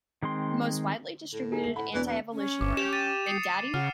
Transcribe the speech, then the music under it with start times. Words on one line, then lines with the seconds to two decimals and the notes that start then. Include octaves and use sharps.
The most widely distributed antievolution work, Big Daddy?
0.23 D#3 G#3 C4 C6
1.33 A2
1.52 D#4 G#4 A#4
1.64 A3 F#7
1.76 A2 F#5 B5
1.94 E1 B2 E3 D5
2.07 E3
2.33 C#4
2.61 G1 D6
2.77 G4 E7 F7
2.93 A6 D#7
3.26 D#6 C7 C#7
3.74 C#3 F#5 F6